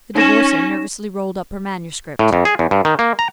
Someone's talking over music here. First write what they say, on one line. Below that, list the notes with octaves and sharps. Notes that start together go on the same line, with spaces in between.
The Divorcee nervously rolled up her manuscript.
C#4 D#4 A#6 E7
A2
F2
G#4
E2
G2
D#3
A#3
A#5